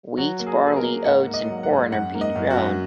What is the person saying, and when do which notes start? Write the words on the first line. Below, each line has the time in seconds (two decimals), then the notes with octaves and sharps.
Wheat, barley, oats and corn are being grown.
0.17 F#3 F#4
0.40 A#3
0.46 G#4
0.62 F#3 G#4
0.76 A#4
0.83 A#3
1.05 G#2 F#5
1.27 A#3
1.34 D#5
1.49 F#3
1.63 F#5
1.70 G#2
1.92 F#2 F#5
2.14 A#3
2.21 D#5
2.36 F#2
2.50 F#4
2.57 F#2